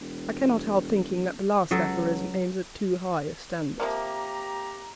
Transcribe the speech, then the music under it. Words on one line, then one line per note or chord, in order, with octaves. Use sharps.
I cannot help thinking that the last aphorism aims at too high a standard.
E1
C#2 F#3 A4
C3 F3 A#3 G4 A#5